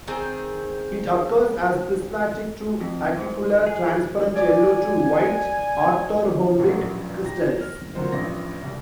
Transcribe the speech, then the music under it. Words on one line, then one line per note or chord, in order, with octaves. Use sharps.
It occurs as prismatic to acicular transparent yellow to white orthorhombic crystals.
D#3 C4 G#4
F2
G#2
G#4
D5 G#5 D6
A1 G2 A#2 F3 F#3
G4 A#5 A#6
F6
D3 F#3 A#3 F4 F#4 C5
A1 G2 F3 A#6
C2 G3